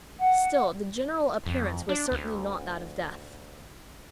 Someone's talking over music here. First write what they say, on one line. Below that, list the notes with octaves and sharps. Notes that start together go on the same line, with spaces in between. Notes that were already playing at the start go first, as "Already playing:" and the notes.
Still, the general appearance was certainly not that of death.
F#5
F2
D4
D2